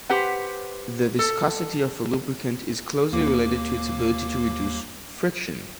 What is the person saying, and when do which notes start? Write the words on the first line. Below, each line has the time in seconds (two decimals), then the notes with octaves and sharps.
The viscosity of a lubricant is closely related to its ability to reduce friction.
0.10 G4 B4 C5 F#5
1.19 A4
3.13 D#2 A#3 D6